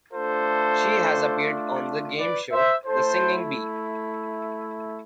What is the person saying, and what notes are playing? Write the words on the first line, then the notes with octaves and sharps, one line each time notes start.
She has appeared on the game show "The Singing Bee".
A3 D4 F4 A4 C5
B4 D5
C5 E5
A3 E4 A4 C5